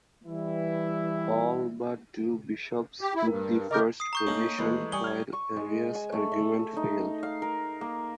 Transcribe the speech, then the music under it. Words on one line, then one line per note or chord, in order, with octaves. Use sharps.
All but two bishops took the first position; while Arius' argument failed.
E3 G3 E4
G4
E4
G2 A#4
C#3 A#4 D#5 D6 G6
D#6 C7
A#5 C#6 G6
A3 A#3 C#4 D#4
D#2 E3 G#3 A3
G3 G#5 C#6 D#6 G7
F6 G#6
C#6
G#3
G#5
A3
E5
D#4
F5
A#4
A#3